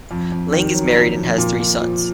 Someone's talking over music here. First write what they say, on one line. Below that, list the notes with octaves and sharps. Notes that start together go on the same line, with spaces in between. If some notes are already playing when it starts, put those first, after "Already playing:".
Ling is married and has three sons.
F2
F2
D#3
F#3
F2
F2
A#2
A#2
F3